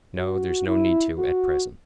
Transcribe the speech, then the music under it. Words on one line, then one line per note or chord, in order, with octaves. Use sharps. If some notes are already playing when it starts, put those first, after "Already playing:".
"No, there's no need to, at present."
F#4
E4
F#4